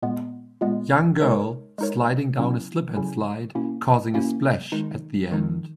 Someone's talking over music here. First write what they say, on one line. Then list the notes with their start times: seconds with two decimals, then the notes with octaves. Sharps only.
Young girl, sliding down a slip and slide causing a splash, at the end.
0.02 A#2 G#3 B3
0.61 A#2 G#3 B3
1.21 G#3 D#4 A#4 C#5
1.78 G#3 D#4 A#4 C#5
2.38 C#3 F#3 C#4 E4
2.96 C#3 F#3 C#4 E4
3.55 B2 A#3 C#4 E4
4.14 B2 A#3 C#4 E4
4.72 D#3 G#3 D#4
5.31 D#3 G#3 D#4